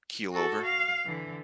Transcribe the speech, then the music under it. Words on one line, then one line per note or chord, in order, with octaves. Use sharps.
keel over?
F#4 A4
F5
D3 E3